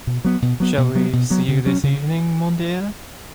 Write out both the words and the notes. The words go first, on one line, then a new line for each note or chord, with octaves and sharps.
Shall we see you this evening, mon dear?
B2
F#3 B3
B2
F#3 B3
B2
F#3 B3
B2
F#3 B3
C#3
F#3 C#4
C#3